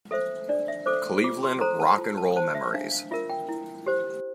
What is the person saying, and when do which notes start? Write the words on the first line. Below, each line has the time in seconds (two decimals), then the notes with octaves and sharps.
"Cleveland Rock and Roll Memories".
0.11 A4 C5 E5
0.49 D4 D5
0.68 E5
0.86 A4 C5 D6
1.24 F4 D6
1.43 C6
1.61 A4 C5 A#5
1.80 A5
1.98 F4
2.17 A5
2.36 C5 A5
2.55 E5
2.74 D4 F5
2.92 F5
3.11 F4 A#4 E5
3.30 G5
3.49 E4
3.86 G4 C5